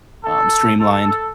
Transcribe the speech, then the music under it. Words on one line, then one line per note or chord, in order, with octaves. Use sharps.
um, streamlined,
A4
A4